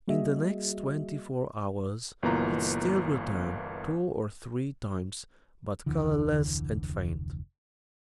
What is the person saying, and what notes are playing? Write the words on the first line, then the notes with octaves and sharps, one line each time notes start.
In the next twenty-four hours, it still returned two or three times, but colorless and faint.
G3 A#3 F#4 G#4 D#5 E5
G1 B2 E3 A#3 F4 A#5
F1 D2 D3 E3